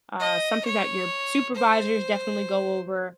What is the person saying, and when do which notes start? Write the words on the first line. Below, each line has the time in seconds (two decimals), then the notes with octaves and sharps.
uh, something that your supervisors definitely go over,
0.20 D#5
0.66 C#5
1.55 C5